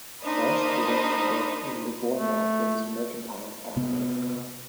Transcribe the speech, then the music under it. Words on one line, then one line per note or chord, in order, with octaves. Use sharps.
First he went to work in Livorno with his mercantile family.
A#3 D4 D#4 C5 B5 D#6
A3
C3 B3